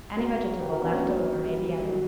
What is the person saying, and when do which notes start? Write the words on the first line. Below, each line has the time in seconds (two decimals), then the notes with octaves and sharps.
Any vegetable left over may be added.
0.17 F#4 A#4
0.60 G4 B4
0.71 F#4 A#4
0.81 B3 D4
0.92 A#3 C#4
1.02 F#3 A#3
1.46 G3
1.88 F#3